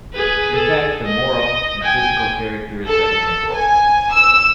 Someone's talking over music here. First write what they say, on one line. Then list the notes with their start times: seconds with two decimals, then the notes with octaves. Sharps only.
In fact, the moral and physical character is identical.
0.13 G#4 B4
0.54 G#4 A4
1.05 D#5
1.82 G5 G#5
2.87 A4
3.53 G#5
4.12 E6